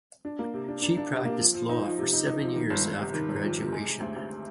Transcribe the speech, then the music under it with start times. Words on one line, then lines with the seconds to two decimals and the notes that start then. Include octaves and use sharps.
She practiced law for seven years after graduation.
0.25 D4
0.39 A#3
0.54 C3
0.68 D4
0.82 D4
0.97 D4
1.11 C3
1.25 A#3
1.40 F3
1.55 F3
1.69 D#4
1.84 F3
1.98 C3
2.13 D#4
2.27 D#4
2.42 F3
2.56 D#3
2.70 G1
2.85 G1
3.00 C3
3.14 D#3
3.29 G1
3.43 F2
3.57 C3
3.72 G#3
3.87 G#3
4.00 D2
4.16 D2